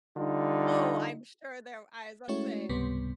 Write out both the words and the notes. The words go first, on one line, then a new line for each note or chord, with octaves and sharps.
Oh, I'm sure there I was about to say.
D3 G3 D#4 F4
G#3 A3 C#4 E4 F#4 C#5
C#2 G#2 C3 G3 B3